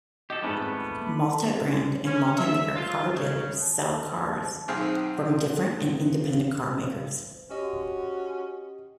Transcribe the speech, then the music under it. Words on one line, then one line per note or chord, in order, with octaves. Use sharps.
Multibrand and multimaker car dealers sell cars from different and independent carmakers.
G4 A4 D#5
F2 G#2 G3 A3 B3
C#4
E5
F4
C#3
B1 D#3 C4 G#4 F6
C#4 F#4 G4 D#5